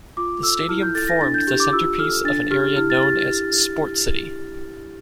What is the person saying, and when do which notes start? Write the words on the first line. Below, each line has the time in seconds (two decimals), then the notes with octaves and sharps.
The stadium formed the centrepiece of an area known as "Sportcity".
0.17 F4 D6
0.43 A4 E6
0.69 E4 F6
0.82 G6
0.95 A4 A6
1.08 A#6
1.21 D4 A6
1.34 G6
1.47 G4
1.60 D6
1.73 F4 E6
1.99 A4 F6
2.25 D4 A6
2.51 G4 F6
2.77 E4 F6
2.90 A6
3.03 G4 A6